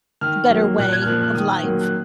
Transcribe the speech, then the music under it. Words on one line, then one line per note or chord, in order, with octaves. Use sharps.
a better way of life.
D#3 F6
F#3 A#3
A#2 F#6
F#6
G#6
F6
F3 A#3 F#6
F#6
D#3 D#6
F#3 A#3
F#6